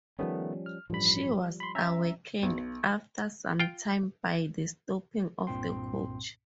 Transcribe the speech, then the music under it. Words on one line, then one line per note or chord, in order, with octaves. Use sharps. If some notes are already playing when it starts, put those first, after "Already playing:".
She was awakened, after some time, by the stopping of the coach.
D#3 F3 G3 A3 B3 C#4
F6
A1 G2 F3 G3 B5
B5 C6
C#4 E5 A#5
B1
F4 G5
C2 G2 A#2 C4 G5 C6